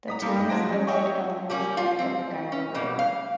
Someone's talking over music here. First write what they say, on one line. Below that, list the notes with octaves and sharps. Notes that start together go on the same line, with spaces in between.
The town is located on the north bank of the Gila River.
A#5 D#6 B6
G3 A3 A#3
G2 D#4
F3 F#3 G#3 C5 A#6 D7
C#4
C#5 D#5 E5 G5 G#5 C#6
G3 A#3 C#4
F4
C4
C#4
B2 G3 A#3
F5